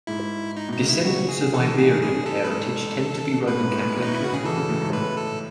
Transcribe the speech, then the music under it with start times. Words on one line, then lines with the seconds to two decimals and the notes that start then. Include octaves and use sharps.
Descendants of Iberian parentage tend to be Roman Catholic.
0.07 G#2 E4
0.57 D#4
0.69 B2
0.72 D#4
0.81 C#3
0.89 D#3 E4
1.05 C#3 F#4
1.29 G#4
1.53 E3 A4
1.66 D#3
1.78 D#3 G#4
2.02 A2 G#4
2.26 A4
2.45 B4
2.51 G#2 A4
3.47 A2 B4
3.60 G#2
3.71 A2
3.85 A2
3.96 B2
4.02 D#4
4.08 B2
4.14 E4
4.21 C#3
4.24 F#4
4.33 C#3 G#4
4.44 E3 A4
4.57 C#3
4.69 A2
4.81 G#2
4.93 A2 B4
5.17 A4